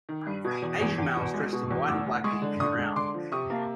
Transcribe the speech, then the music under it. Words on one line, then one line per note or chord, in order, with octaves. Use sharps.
Asian males dressed in white and black are looking around.
D#3
G2
B2
E2
E2
E2
B2
G#3
B2
E2
D2 D6 E6
D2
G#3 C#6 D#6
D3
D3 C#6 D#6
G#3
D3 C6 D6
F3
C3 C#6 D#6
A#3